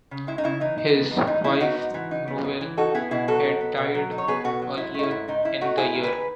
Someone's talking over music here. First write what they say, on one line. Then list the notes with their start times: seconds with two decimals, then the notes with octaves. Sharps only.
His wife, Muriel, had died earlier in the year.
0.11 C#3
0.27 G#3 E4
0.38 D#4
0.44 C#3 E4
0.60 E3 D#4
0.78 D#4
0.94 B3
1.11 G#2
1.27 E3 D#4
1.44 D#4 E4
1.60 B3 D#4 F#4
1.77 G#2
1.94 E3
2.11 D#4
2.28 B3
2.45 G#2
2.61 E3
2.77 D#4 F#4 A4
2.94 B3 E4 G#4
3.11 B2 E4 G#4
3.27 F#3 F#4 A4
3.45 D#4
3.61 B3
3.77 B2
3.95 F#3
4.12 D#4
4.18 C#5
4.28 B3 G#4 B4
4.44 B2 F#4 A4
4.62 F#3
4.78 G#2 E4
4.94 A3 D#4
5.03 E4
5.11 G#2
5.28 D#3 D#4
5.45 G#2 E4
5.61 A3 D#4 F#4
5.78 G#2 E4 G#4
5.95 D#3
6.03 G#4 B4